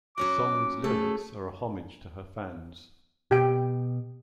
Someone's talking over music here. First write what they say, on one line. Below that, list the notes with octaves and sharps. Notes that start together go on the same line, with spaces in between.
The song's lyrics are a homage to her fans.
F#3 C#4 F#4 D6
A3 G#4 A4
B2 G4 G5